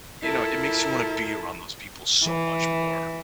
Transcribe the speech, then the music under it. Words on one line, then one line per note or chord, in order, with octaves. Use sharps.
you know, it makes you wanna be around those people so much more.
E4 F4 A4 A#4
E3